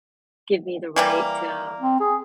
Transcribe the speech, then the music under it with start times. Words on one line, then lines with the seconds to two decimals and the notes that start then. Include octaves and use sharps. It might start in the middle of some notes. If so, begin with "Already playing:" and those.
give me the right, uh
0.96 E3 G3 A#3
1.81 C4
2.00 G#4